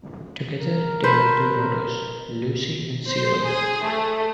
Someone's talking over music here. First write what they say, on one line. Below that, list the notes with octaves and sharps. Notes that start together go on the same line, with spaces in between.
Together they have two daughters, Lucy and Celia.
A#4
B4 C5
C5
G#4
A3